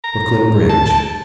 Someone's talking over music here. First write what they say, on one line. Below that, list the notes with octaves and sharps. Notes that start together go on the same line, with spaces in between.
Brooklyn Bridge.
A#5
A5
A5